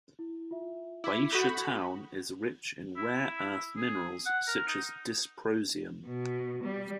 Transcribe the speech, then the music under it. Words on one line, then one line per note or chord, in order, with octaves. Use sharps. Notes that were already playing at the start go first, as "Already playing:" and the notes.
Baisha Town is rich in rare earth minerals such as dysprosium.
E4
F4 E5
E4 D6 B6
F#4 A4 B5 D#6 G6
E4
G#4
F#5
A#4
D#4
B2
G3